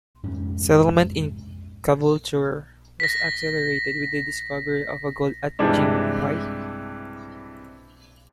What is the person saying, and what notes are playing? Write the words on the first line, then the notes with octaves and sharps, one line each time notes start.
Settlement in Caboolture was accelerated with the discovery of gold at Gympie.
F2 G#2 C3 C#4
A#6 B6
G2 C3 E3 G#3 D4